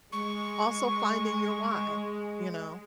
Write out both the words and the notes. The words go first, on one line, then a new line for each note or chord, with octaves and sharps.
Also finding your "why," you know?
G#3 C#6